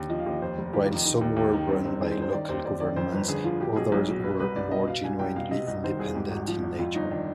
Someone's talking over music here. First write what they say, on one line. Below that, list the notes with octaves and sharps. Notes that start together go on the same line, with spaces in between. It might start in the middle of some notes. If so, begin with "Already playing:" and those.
While some were run by local governments, others were more genuinely independent in nature.
Already playing: D#2 D3
F3 D#5
F5
D#2 D#5
F2 C5
F1
D#3 G4
F4
F1 D#4
D#3
D#2
D#2
D#3
G2 C4
G1 C4
D#3 G#4
C5
G1
C5
D#3 D5
D#2 C5
D#2 D5
D#3 D5
F2 C5
G1 B4
D3 G#4
F3 F4
B2 G4
B1 G#4
B1
B2
B2 B4
C2 B4
C2 D5
B2 D#5
B2 F5
C2 G#5
C2 G5
B2 F5
C3 D#5
C2 D#5
D#3 C5
C2 G#4
G#2 G4
G#1
F3
G#1
F2 F4
G1 D#4
D#3 D4